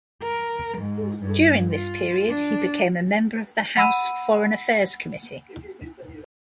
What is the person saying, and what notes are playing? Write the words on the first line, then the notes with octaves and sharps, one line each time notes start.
During this period, he became a member of the House Foreign Affairs Committee.
A#4
G#2
G2
F4
D4
F#5 B5 E6 D#7